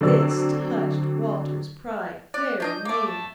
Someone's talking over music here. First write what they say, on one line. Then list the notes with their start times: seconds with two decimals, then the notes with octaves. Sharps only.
This touched Walter's pride very near.
0.01 D3 F#3 C4 D5 E6
2.34 D5 F#6
2.60 C#4 D4 D#5 G6
2.85 A3 A#3 D6
3.07 A5